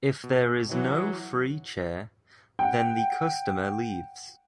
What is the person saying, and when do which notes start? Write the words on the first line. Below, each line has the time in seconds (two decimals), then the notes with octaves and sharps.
If there is no free chair, then the customer leaves.
0.24 B2
0.71 E3 F#3 E4
2.59 F#5 G5